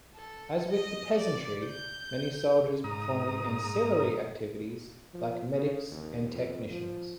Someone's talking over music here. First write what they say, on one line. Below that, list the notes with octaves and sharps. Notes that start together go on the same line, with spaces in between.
As with the peasantry, many soldiers performed ancillary activities, like medics and technicians.
A4
D#5
D5
G6
G#2 A#5 D#6
F3
C#3
D#2
F2
F3